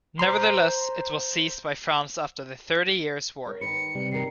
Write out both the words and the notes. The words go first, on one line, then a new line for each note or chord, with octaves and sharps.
Nevertheless, it was seized by France after the Thirty Years' War.
C5 A#5 C6
A#4 C#5
D#3 D#4 B4 C#7
C3 G3
D#3 A#4 C7